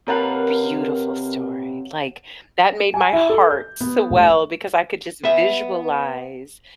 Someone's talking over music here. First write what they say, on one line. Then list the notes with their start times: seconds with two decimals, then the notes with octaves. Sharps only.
beautiful story. Like, that made my heart swell because I could just visualize,
0.08 C3 A#4 B4 C#5 F5 F#5 A5 F6
2.94 G#5
3.13 E4
3.29 A4
3.51 G6
3.80 B3
4.10 F1
5.24 B3 E5